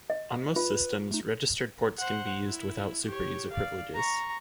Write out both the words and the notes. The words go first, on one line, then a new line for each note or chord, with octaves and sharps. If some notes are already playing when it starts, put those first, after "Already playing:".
On most systems, registered ports can be used without superuser privileges.
D#5
F4 B4
A3 D#4
C5 F#5
E4
G4 C#5
D5 F5
A#5 C#6